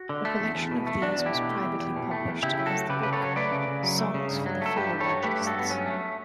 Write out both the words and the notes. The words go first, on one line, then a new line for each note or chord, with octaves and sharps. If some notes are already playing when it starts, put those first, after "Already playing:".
A collection of these was privately published as the book Songs for the Philologists.
Already playing: F#4
D3
A3
E2
E2
B2
A3
E2 D4 F#4
E2
E4 G4
B2
A3
E2
E2
B2
A3
E2
C#3 E4 G4
F#3
F#4 A4
A3
C#3 G4 B4
C#3 B4
A4 C#5
F#3
A3 B4 D5
C#3
C#3
F#3
A3
C#3
G2
F#3
A3 A4
G2 G4 B4
G2
A4 C#5
F#3
A3 G4 B4
G2
F#4 A4
G2 B3
F#3 C#4
A3